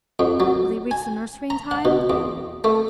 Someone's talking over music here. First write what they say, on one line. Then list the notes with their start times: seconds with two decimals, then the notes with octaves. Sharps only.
Will they reach the nursery in time?
0.19 F2
0.40 F#3
0.91 G#5
1.50 A#5
1.71 F#5
1.85 B2
2.10 E2
2.64 A3